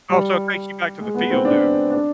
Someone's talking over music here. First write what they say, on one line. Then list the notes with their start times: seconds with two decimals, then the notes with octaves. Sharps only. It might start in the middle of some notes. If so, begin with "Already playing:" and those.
Oh, so it takes you back to the field then.
0.10 G3
1.00 G#3
1.14 B3
1.30 C4
1.45 D4
1.90 D4